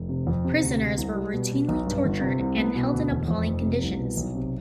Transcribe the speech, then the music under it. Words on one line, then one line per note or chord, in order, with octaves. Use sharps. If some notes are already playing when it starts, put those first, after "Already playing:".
Prisoners were routinely tortured and held in appalling conditions.
Already playing: F1
C3
F2
C3
D2
C3
C2
G3
B2
B2
B1
G2
G1
C3
C2
B3
B2
D2
E1
F2
F1
C3
C2
B2
B1
C3